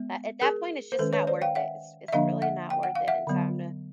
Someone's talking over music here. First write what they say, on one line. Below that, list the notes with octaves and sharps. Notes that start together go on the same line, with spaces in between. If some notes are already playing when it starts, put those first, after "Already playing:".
a at that point, it's just not worth it, it's it's really not worth it in time to
Already playing: G#3 B3
G#4 A#4
C5
D#3 G#3 C#4 A4 B4
B4 C#5
C5 D5
F5 G5
E5 F#5
E5
D3 F3 A#3 D4 D#5 F5
E5 F#5
G5
F#5
F5
E5 F#5
D3 F#3 B3